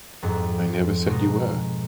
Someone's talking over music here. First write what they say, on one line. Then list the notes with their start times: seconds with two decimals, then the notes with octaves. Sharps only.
I never said you were.
0.23 F2 G#2
1.07 B2 F3 G#3 D#4